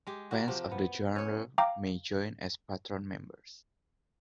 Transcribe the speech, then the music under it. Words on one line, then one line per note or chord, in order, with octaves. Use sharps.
Fans of the genre may join as patron members.
G#3 G4
F#4 G4 A#4
C3 F3 G4
B3
C#4 C#5
F5 G5 A#5 D6